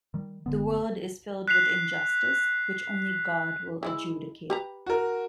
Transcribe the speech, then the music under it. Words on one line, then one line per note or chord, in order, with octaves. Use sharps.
The world is filled with injustice, which only God will adjudicate.
D#3 G3
F#1 D3 B3
F#6 B6 C7 F7
E3 G#3 E4
G4 B4 A#5
F#4 A#4